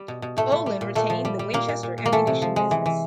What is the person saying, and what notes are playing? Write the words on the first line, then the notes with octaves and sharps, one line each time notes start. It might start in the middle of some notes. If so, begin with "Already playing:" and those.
Olin retained the Winchester ammunition business.
Already playing: G3
B2
B2
A2 A3
A3
G3
A#2
A#2 A3
F3
G3
G3
A#2 A#3
A#2
A#2
A#2
A#3
E3 A3
C3
F3
G#3
E3
E3